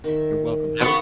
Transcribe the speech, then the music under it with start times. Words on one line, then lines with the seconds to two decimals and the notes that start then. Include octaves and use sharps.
You're welcome, have a
0.04 D#3 E5
0.81 B3 F#4 G#4 F5 C#6